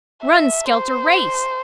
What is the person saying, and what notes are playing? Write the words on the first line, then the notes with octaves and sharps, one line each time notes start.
Run, skelter, race.
E5
C5